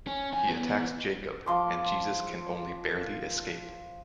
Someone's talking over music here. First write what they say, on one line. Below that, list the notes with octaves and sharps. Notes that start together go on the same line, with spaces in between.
He attacks Jacob and Jesus can only barely escape.
C#4
F2 G#5
E2 B3
F3 C6 D6